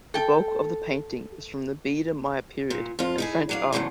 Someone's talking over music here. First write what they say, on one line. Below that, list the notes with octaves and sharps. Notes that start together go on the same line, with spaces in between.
The bulk of the painting is from the Biedermeier period and French art.
A4 G5
A#2
F2 F4
D#4 E4 G#4
F#3 D4 F5
E2 G#2 C#3 F3 F#3 A3